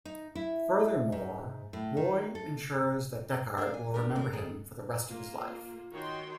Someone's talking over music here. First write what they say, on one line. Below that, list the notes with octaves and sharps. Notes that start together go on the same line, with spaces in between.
Furthermore, Roy ensures that Deckard will remember him for the rest of his life.
D#4
E4
G#2
A2
D#3
A4
D4 A#4 F5
G#5
D4 G4 G#4 A#4
D#2 C#3 A#3 A#4 A#5
D#3 G#4 A4
A#3 F4
D#3 F#4 C#5 G5 C6